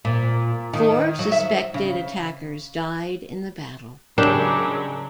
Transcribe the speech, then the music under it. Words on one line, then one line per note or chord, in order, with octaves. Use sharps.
Four suspected attackers died in the battle.
A#2
D#3
F#3
E5
C#3
C#3 F#3 G#3 D4 G4 A#4